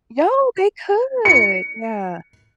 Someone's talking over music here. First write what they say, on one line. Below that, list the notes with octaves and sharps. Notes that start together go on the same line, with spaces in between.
Yo, they could. Yeah.
C#7